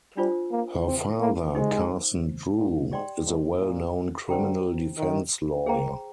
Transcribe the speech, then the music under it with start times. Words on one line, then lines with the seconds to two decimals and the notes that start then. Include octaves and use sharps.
Her father, Carson Drew, is a well-known criminal defense lawyer.
0.17 G3 D4 F4 C5
0.51 A#3
0.85 C4
1.20 A#3
1.54 G#3 D#4 G4 C5
2.57 A#2
2.92 G#2 G4 D5 G5 C6
3.26 G#2
3.60 A#2
4.29 D3 G4 C5 G5 A#5
4.98 D#3
5.66 A#3 G#4 C5 G5 A#5